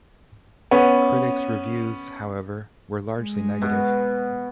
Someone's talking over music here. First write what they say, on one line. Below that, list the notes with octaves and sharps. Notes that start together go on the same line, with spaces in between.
Critics reviews, however, were largely negative.
B3 C#4
G#3
B2